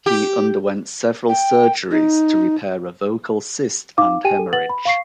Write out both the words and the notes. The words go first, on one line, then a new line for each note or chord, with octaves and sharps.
He underwent several surgeries to repair a vocal cyst and hemorrhage.
G4
G5
D#4
D#4 F5 D6
G4 G5 G#5 D#7
A4
B4 F#5 A6 F#7
B5
F5 C#6 C7